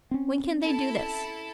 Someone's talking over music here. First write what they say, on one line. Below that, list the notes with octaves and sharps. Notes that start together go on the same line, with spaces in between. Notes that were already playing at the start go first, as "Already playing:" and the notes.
When can they do this?'
C4 C#4
E4 A4 A5